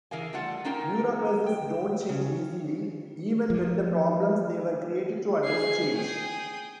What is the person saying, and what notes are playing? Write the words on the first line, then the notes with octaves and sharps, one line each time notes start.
Bureaucracies don't change easily, even when the problems they were created to address change.
E3 G#4 A#4 F5 G#5
G3 A3 F4 F#5 A5
A#3 C#4 D#4 F4 A#4 G5
G5
C#3
F3
G#4 G#6 C7
G#4 G5 D#6